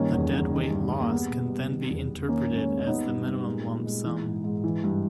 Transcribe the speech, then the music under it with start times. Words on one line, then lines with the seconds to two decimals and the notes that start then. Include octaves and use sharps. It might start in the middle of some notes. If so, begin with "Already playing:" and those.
The deadweight loss can then be interpreted as the minimum lump sum.
Already playing: G2 D#3 A#3 C#4
0.12 E2
0.32 E2
0.51 D#3
0.71 G2
0.91 G2
1.00 A#3
1.10 G3 B3
1.29 B2
1.50 G3
1.69 D#3
1.89 E2
2.09 E2
2.28 D#3 A#3 C#4
2.48 G#2
2.57 A#3 C#4
2.67 G#2
2.79 C#4
2.87 G3 B3 D#4
3.07 G2
3.26 G3
3.46 G#3
3.66 A#2
3.85 G#3
4.06 E3
4.25 G#2
4.44 G#2
4.64 E3
4.84 G2